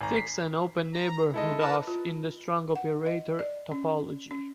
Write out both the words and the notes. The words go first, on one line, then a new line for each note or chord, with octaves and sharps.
Fix an open neighborhood of in the strong operator topology.
G#1 G#5 A#5
B6 C7
A#5
D#3 G#3 E4 A4 D#5
A#4 B4 A5
F4
F#5
D#5
D5
C#4
C#4